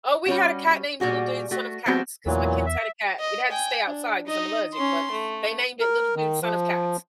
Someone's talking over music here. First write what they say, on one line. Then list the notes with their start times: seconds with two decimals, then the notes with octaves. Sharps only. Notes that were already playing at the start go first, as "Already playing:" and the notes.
Oh, we had a cat named Little Dude Son of Cats 'cause my kids had a cat. It had to stay outside 'cause I'm allergic, but they named it Little Dude Son of Cats.
0.26 G3 C#4 F#4
1.00 A#2 G3 F#4 G#4
1.51 A3 F#4
1.86 F3 G3 G#3 B3 C4 F#4
2.26 E2 A#2 E3 F#3
2.66 E5
3.20 D#5
3.50 G5 G#5
3.85 D4
4.27 D#4 D#5
4.73 C#4 C6
5.11 A3
5.80 A#4
6.16 D#3
6.42 F3